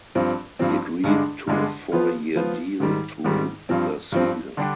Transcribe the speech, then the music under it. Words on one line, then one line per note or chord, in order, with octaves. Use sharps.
He agreed to a four-year deal through the season.
G2 F3 C4
G2 F3 C4
G2 D3 G#3 D4
G2 D3 G#3 D4
F3 B3 F4
F3 B3 F4
G#2 D#3 G3
G#2 D#3 G3
G2 F3 C4
G2 F3 C4
D3 G3 D4 G4